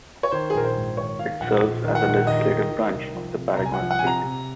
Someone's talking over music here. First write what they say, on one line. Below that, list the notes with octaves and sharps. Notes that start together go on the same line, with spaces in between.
It serves as the legislative branch of the Paraguayan state.
C#5
D#3 C5
G#4
A#1 A#4
C5
G#2
D#3 C#5
D#3 F5
A#1 F#5
A#1
D#3
F#5
A#1
D#3 D#5
D#3
D#3
C2
F3
C3
C2 A#5
G#5
F#5
F3
F#5
C3 G#5
A#5
C3